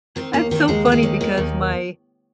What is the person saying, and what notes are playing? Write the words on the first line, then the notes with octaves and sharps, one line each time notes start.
That's so funny because my,
D#3 C4
D#2 A#3
D#3 C4
D#2 G#3
D#3
G#3
D#2
D#3
D#2